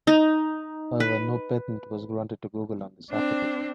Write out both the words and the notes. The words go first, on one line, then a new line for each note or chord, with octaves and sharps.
However, no patent was granted to Google on this application.
D#4
B4
C4 D4